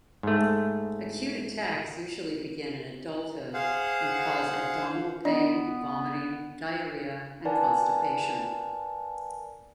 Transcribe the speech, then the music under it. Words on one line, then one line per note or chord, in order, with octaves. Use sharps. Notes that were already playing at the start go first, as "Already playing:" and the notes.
Acute attacks usually begin in adulthood and cause abdominal pain, vomiting, diarrhoea and constipation.
G#2 A3
G#4 C5 F5 F#5
B3 D4 D5 D#5
A#4 B4 D5 F#5 G#5 A5